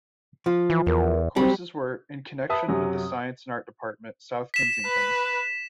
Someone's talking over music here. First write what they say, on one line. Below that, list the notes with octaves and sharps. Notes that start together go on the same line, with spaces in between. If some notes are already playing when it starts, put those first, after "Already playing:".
Courses were "in connection with the Science and Art Department, South Kensington".
F3 F4
E3
E2 A#4
F#3 G3 C4
B4 E5 A5 D#6
F#2 C3 F#3
B6 E7
B4